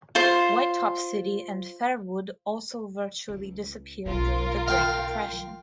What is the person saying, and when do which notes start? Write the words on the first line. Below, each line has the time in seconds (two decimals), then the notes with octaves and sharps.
Whitetop City and Fairwood also virtually disappeared during the Great Depression.
0.15 F4 C5
3.28 C#2
4.06 B1 C#3 F4 A#4
4.68 F5 G5